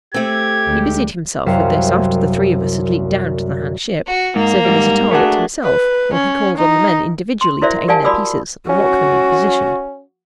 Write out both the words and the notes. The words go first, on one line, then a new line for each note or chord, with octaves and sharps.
He busied himself with this after the three of us leaped down to the Han ship, serving as a target himself, while he called on the men individually to aim their pieces and lock them in position.
A3 C4 G4 G#6
D2 G#3
C2 F#2 G4 C5 F5 C#7
F#4
G#2 A#3
G#2 G3
A3 D4 F#4 G#4 A#4
B4
C#4
D#4
C6
E4 F#4 A#4 C5 D5 E5
G4 A#4 D5 F5 G#5 A5
F#4 D5 B5 D#6 E6
C#4 F#4